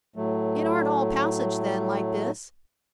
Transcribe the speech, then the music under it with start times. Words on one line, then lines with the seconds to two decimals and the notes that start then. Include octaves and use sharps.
"It aren't all passage, then, like this?"
0.16 A2 F#3 A3